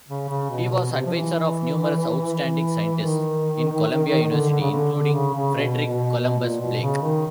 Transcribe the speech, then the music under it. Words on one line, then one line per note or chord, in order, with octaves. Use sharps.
He was adviser of numerous outstanding scientists in Columbia University including Frederic Columbus Blake.
C#3
C#3
B2
B2
C3
F3
E3
E3
D#3
D3
D3
C#3
D3
D3
C#3
C#3
B2
B2
B2
A#2
B2
C#3
D#3